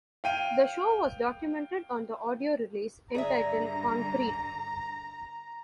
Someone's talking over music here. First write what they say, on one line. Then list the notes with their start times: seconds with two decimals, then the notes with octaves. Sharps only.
The show was documented on the audio release entitled Concrete.
0.24 F5 G5 D#7
3.15 G2 D3 G#4 D5 E5 A#5